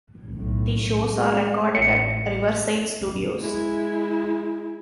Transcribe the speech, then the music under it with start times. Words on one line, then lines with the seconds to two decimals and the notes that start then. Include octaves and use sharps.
The shows are recorded at Riverside Studios.
0.35 B1 A2
1.12 G#3
1.75 A1 C#7
3.41 G#3 E4